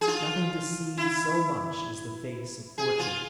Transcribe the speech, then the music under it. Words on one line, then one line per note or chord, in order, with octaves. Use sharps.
Nothing deceives so much as the face of fortune.
G#4
F4
E4
G#4
F4